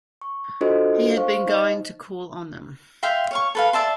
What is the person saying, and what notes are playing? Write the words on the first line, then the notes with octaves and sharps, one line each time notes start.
He had been going to call on them.
C#6
D4 F4 F#4 A4 C5 D#5
C5 F5 C#6
D#4 D#5
E5 F5 G5 C6
C#5 F5 C#6
A4 B4 F5
D5 E5 A5 C6